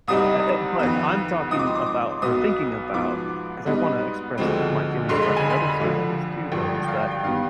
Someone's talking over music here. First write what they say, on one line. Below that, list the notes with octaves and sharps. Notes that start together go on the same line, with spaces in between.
Eh eh, but I'm talking about or thinking about- 'cause I wanna express my feelings about the other side of this too, though- is that
C2 C3 G3 C4 D#4 D#6
F2 D#3 B3
G#2 F3 C4 D#4 D#6
D6
C6
D6
D6
B1 B2 B3 D#4 D#6
G#2 F3 B3 D6
G#2 G3 B3 D#4
D2 D3 F3 G#3 C4
F1 F2 D3 G#3 C6
B5
G#5
B5
F2 D3 F3
G#1 G2 D3 F3 G5
G5
F5
G5
G2 D#3 G3 B3 F5